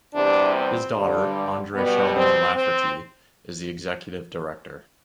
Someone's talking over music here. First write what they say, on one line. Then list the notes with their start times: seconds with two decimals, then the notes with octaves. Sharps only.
His daughter, Andrea Sheldon Lafferty, is the executive director.
0.13 E2 C3 G3 D4
0.54 C4
0.94 G2 D3 G3
1.74 B2 G3 B3
2.14 C4
2.54 C4